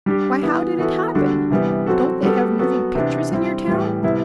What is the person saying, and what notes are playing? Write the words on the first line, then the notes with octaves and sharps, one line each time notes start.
"Why, how did it happen? Don't they have moving pictures in your town?"
G3 D4 G4
E3 B3 E4
E3 B3 F#4 A4
D3 G3 D4 F#4 A4
C3 E3 G3 B3
F#3 C4 F#4 A4
G3 B3 F#4 A4
F#3 B3 F#4 A4
C3 E3 B3 D4
G3 C4 E4
A2 E3 G3
C3 G3 B3 E4